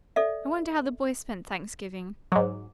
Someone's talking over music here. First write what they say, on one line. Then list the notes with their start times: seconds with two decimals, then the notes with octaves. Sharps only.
I wonder how the boys spent Thanksgiving.
0.16 A4 D5 E5
2.32 G#2 F#3 G#4